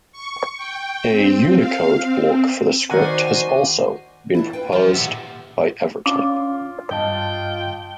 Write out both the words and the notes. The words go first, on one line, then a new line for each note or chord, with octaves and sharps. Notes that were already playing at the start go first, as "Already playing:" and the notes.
A Unicode block for the script has also been proposed by Evertype.
C#6
G5
C4
F5
C4
D#3 D4 F#4 A#4 C5 F#5 G#5
E3 D4 E4
F4 B4 G5
E3 F4 C5
A#2 D#3 G4 E5 F#5
C#4 D4 F4 D6
G2 D#5 G5 A5